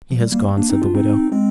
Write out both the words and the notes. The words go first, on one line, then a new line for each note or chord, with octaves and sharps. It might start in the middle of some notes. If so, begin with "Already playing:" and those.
"He has gone," said the widow.
F3
G3
G3 A#3
A#3 D4
C4 D#4
D4 F4
C4 D#4
G#3 C4